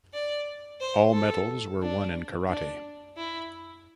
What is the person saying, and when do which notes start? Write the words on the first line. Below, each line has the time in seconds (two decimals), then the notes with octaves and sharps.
All medals were won in karate.
0.14 D5
0.81 C5
1.14 A4
1.82 D4
2.49 D4
3.17 E4